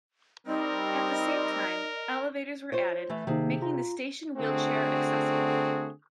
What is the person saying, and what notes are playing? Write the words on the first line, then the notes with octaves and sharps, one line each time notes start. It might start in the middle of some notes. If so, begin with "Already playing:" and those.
At the same time, elevators were added, making the station wheelchair-accessible.
G3 C4 D#4 A#4 D5 D#5
F4 C5 C#5
E3 A3
C3 D#3 A#3 D#4 G#4
F4 A#5
D3 A3 C4 F#4 G#4